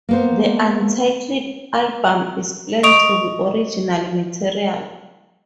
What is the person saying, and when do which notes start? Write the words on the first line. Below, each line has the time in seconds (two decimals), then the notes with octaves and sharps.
The untitled album is planned to be original material.
0.09 A#3 B3 C5
2.83 D#5 C#6 D#6 D7 F7